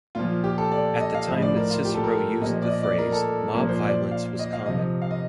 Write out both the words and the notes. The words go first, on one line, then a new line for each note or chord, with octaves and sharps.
At the time that Cicero used the phrase, mob violence was common.
A#2 F3 F4
G4
A4
D5
D#5
F5
A2 F3 D#5
D5
A#4
F4
G4
A4
A#4
A#2 F3 D#5
D5
D#5
D5
A#4
A4
A#2 F3 A#4
C5
D5
F5
D#5
F5
C3 F3 D#5
F5
D#5